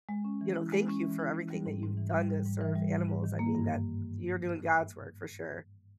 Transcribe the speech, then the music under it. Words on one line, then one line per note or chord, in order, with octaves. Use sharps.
you know, thank you for everything that you've done to serve animals. I mean, that you're doing God's work for sure,
G#3
C#4
E3
E4
G#3
C#4
E3
E4
E3
G3
G#2
G#2
E3
G3
G#2
G#2
E3
G3
G#2
G#2
D#3
A#3
G2